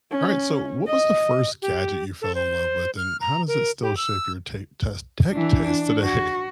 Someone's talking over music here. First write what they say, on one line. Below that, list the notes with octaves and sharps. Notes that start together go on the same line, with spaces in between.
All right, so what was the first gadget you fell in love with, and how does it still shape your ta test tech taste today?
C#4
D#5
G4
A4
C5
F6
A#5
A#4
G4
E6
E3 D4
D4
F#4